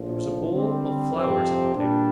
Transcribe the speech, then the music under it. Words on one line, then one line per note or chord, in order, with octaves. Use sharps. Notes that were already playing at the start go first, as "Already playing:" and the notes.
There was a bowl of flowers on the table.
Already playing: A#1 A2 F3
D3 G3 C4
F2 C3 F3 C4 G4
A#2 G3 D4